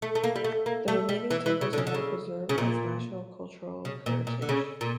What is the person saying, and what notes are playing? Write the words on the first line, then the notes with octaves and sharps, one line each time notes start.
The remaining temples are now preserved as national cultural heritage.
A3
A3
A#3
G3
A3
A#3
A3
G3
E3
E3
C#3
D3
C#3
D3
C#3
C#3
A#2
C#3
A#2
A#2
D3
C#3
A#2